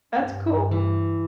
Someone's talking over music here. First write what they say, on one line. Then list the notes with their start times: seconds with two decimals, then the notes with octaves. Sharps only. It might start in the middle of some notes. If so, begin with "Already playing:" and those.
That's cool.
0.13 G2
0.71 E3